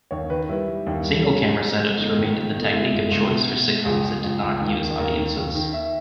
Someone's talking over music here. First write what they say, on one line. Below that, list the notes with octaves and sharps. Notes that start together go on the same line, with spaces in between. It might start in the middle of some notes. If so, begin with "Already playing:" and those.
Single-camera setups remained the technique of choice for sitcoms that did not use audiences.
D#2 C#5
D#3 B4
G3 E4
G3
D#2
G3
G3 C#4
G3
G#3
G#3
G1 D#4
D#3
D#3
G1
D#4
G#3 E4
G1
C#2
B2
B2
G#3
C#2 G#4
C#2
C#2
C#2
D#2
D#3
D#2 A#4
D#3
D#2
D#3
D#3 E5